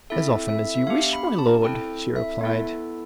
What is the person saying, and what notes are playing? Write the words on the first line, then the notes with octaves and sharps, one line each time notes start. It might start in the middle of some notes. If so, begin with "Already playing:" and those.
"As often as you wish, my lord," she replied.
C4 E4 A4 E5
E5
E5
B3 D4 G4 F5
B5
A5
C4 E4 A4 G5
E5
B3 E4 A4